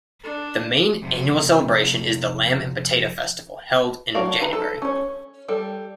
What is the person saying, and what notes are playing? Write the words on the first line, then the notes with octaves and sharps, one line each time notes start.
The main annual celebration is the Lamb and Potato Festival held in January.
D4
F2 C3
F#3 D4 F#4 A#4 F5
D#4 B4 A#5
A4
C#4 C#5
G3 A4 G5